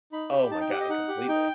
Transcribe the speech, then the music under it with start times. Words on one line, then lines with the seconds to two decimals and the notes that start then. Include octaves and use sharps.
Oh my god, completely.
0.12 D#4 B5
0.32 G4
0.51 D#4 A5
0.61 G5
0.70 G4 F#5
0.81 D#5
0.90 D#4 F#5
1.08 G4
1.28 D#4 G5